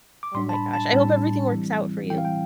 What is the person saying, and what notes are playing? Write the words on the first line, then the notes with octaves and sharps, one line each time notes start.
Oh, my gosh. I hope everything works out for you.
D6
A2 G3 D4 C6
A5
B5
A5
A2 G3 D4
E3 G3 C4 E4
E3 G3 C4 E4 G5
F5
G5